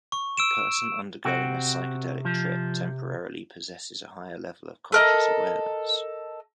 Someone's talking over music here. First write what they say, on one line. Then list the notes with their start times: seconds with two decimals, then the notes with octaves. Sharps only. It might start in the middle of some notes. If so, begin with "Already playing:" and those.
A person undergoing a psychedelic trip temporarily possesses a higher level of conscious awareness.
0.12 C#6
0.37 E6 D7 E7
1.25 C3 C4 F#4
2.25 F3
4.92 A4 A#4 D#5